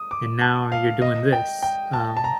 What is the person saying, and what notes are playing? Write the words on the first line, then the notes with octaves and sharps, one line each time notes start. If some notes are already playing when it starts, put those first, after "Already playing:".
and now you're doing this." Um,
Already playing: D#6
D6
A5
F5
D#5
G5
G5
A5
A5
A#5